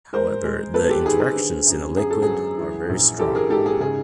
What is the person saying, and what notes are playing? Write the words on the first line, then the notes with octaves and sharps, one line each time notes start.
However, the interactions in a liquid are very strong.
G#3 A#4 C5
G#3
B3 A4 B4
G4 A4
D#3 G#4
G#4
D3
F#2
F#2 G#4
A4
F#3 G#4
E3
A#1
E3 G4 A4
G#4 A#4
G#2 G4 A4
G#4
C#3 G#4